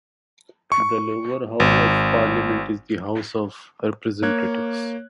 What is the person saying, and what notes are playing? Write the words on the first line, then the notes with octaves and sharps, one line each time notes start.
The lower house of parliament is the House of Representatives.
C#6
G#1
A#3 C#5 F#6 G#6